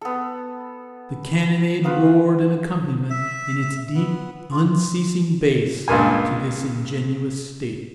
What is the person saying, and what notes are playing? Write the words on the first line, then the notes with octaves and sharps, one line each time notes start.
The cannonade roared an accompaniment in its deep, unceasing bass to this ingenuous statement.
B3 A4
B3 F4 F#4 B4
E5
B3
F4
C#2 G2 A#2 G#5